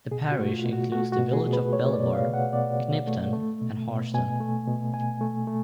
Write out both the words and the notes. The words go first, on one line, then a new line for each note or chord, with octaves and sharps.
The parish includes the villages of Belvoir, Knipton and Harston.
B2 G#4
F#4
A3
F4
B2
F#4
A3 F#4
F#4
B2
G#4
B2
B4
A3 C#5
D5
B2
F5
B2
F#5
B2 D5
B2
A3
A3
B2
B2
B2 G#5
A3
B2
B2 G#5
A3
A3